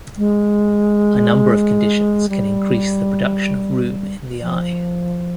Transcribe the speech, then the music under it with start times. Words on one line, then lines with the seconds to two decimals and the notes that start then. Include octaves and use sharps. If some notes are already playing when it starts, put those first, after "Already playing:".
A number of conditions can increase the production of rheum in the eye.
0.18 G#3
2.29 G3
4.42 F3